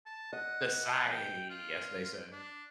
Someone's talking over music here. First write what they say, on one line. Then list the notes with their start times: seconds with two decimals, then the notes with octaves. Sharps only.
"Society", as they say.
0.06 A5
0.33 D#5 F#5
1.10 G5
1.50 F4
2.32 D4